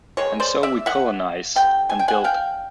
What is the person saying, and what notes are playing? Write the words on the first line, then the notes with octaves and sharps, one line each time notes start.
And so we colonize, and build.
D#3 G#3 C#5
C5 D5
D5 E5
E5 F#5
D3 G3 G5
G#5
G5
F#5 G#5
F5 G5